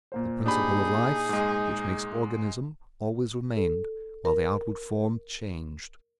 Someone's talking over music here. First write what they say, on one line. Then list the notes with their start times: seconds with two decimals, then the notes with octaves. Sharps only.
The principle of life, which makes organism, always remained, while the outward form changed.
0.12 A#2 A#3 C5
0.46 D4 D#4 G4 G#4 B5
1.29 G#2 G#3
3.57 A4
4.25 A#4